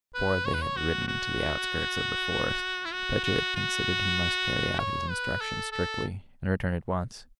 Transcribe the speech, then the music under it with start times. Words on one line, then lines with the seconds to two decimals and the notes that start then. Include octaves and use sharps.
Before they had ridden to the outskirts of the forest Petya had considered he must carry out his instructions strictly and return at once.
0.15 B4
0.46 C#5
0.54 B4
0.62 C#5
0.77 F#4
1.08 F#4
2.85 E4
2.93 F#4
3.24 F#4
3.56 F#4
4.79 C#5
5.10 B4
5.41 A4
5.72 A4